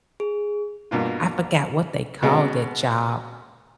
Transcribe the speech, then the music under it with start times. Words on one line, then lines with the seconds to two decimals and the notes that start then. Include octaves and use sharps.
I forgot what they called that job.
0.20 G#4
0.91 G2 B2 A#3 F4
2.23 B2 G#3 C#4 F#4